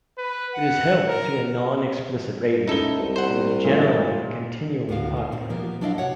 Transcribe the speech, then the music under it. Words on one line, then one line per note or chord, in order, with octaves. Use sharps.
It is held to a non-explicit rating and is generally continually populated.
B4
F#5
A#4
C#2 D#4 E4 A4 G7
C2
C5 F#5
A#2 E3 A3
D#5 A6
A#2
D2 A2 B3 F#4 F5
D#4
A#2 C4
F3 A#3 B3
F#3 D4 E4 D5 D#5 F5
C3 F#4 C#5 F#5